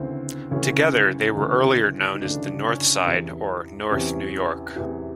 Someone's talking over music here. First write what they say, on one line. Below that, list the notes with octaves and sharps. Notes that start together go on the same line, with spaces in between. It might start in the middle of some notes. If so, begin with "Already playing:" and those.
Together, they were earlier known as the North Side or North New York.
Already playing: D2 C#3 E3 C4
D2 C#3 E3 C#4
D2 C#3 E3
D#4
D2 C#3 E3 D4
C#4
E2 C3 E3
E2 C3 E3 C#4
E2 C3 E3